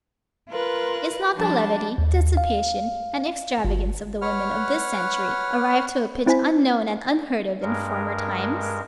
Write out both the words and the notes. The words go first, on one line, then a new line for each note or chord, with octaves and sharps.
Is not the levity, dissipation, and extravagance of the women of this century arrived to a pitch unknown and unheard of in former times?
F4 A#4 B4 F#6
F3 G3 D4 A5
D#2
F5
G1
B4 C#5 F#5 F6
C4 E4 C5 G#5 B6
G2 G#3 A#4